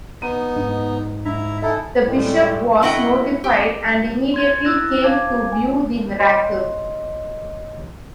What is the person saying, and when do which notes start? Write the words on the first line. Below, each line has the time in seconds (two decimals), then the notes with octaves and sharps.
The Bishop was notified and immediately came to view the miracle.
0.22 B3 D#4 D#7
0.56 G#2
1.25 G#2 E4 E5 A#5
1.62 D#4 E4 A4 E5 G#5
2.06 A2 G3 G#3
2.82 A2 E4 D#5 F#5 G5
3.44 G4
4.34 C6 G#6 A6
4.65 C#4 E4 E6 F#6 A6 A#6
5.04 C5 F5 A5 D6 G#6
5.52 G#5
6.20 G4 C#5 D#5 C6